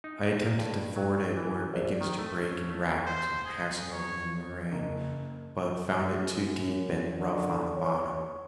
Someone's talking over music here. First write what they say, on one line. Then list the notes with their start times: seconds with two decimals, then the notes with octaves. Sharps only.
I attempted to ford it where it begins to break in rapids in passing over the moraine, but found it too deep and rough on the bottom.
0.04 D#4
0.42 A#4
0.59 G2
0.96 F#3
1.20 G#5
1.37 E3
1.74 A#1
2.01 D#3
2.18 A3
2.42 C#4
2.70 A3
3.06 C5
3.44 G#4
3.92 C#5
4.72 F#1
6.25 F#2
7.17 D3
7.76 C#5